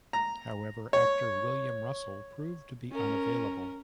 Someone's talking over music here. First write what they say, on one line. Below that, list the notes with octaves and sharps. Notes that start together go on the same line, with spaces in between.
However, actor William Russell proved to be unavailable.
A#5
C#5
C#4 A#4